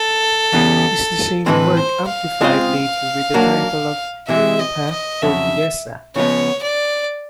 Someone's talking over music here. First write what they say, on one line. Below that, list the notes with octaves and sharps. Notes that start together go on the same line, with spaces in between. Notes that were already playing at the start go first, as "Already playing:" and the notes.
Is the same work amplified later with the title of "Europa portuguesa".
Already playing: A4
E2 C#3 E3 G3 B3
A2 E3 G#3 C4 B4
C5
F5
G#3 C4 F4 G#4 C5
F#3 A#3 D4
C3 E3 G#3 E5
D#5
D#5
F2 C#3 F#3 E5
C#3 F3 G#3 B3 C#5
D5